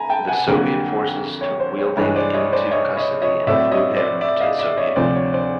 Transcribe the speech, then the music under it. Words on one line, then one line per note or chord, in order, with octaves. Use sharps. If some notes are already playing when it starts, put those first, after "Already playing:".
The Soviet forces took Weidling into custody and flew him to the Soviet Union.
Already playing: G#5 A#5 B5
G5 A5
F#5 G#5
F2 D3 F#3 A#3
C#5
C5
C#5
G2 E3 G#3 C#5
C5 D5
C#5 D#5
C5 D5
C#5 D#5
C#5 D#5
C#5 D#5
A2 F#3 A3 C4 D5 E5
C#5 D#5
C5 D5
D5 E5
D#5 F5
D5 E5
C#5 D#5
D2 C3 F3 C5 D5
C#5
C5 D5